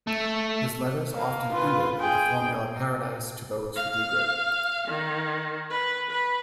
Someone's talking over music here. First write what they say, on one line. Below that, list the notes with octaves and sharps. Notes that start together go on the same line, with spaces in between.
His letters often ended with the formula "Paradise to those who do good".
A3
A#3 F5
F4 B4
G#4 G5
F5
D#3
B4
B4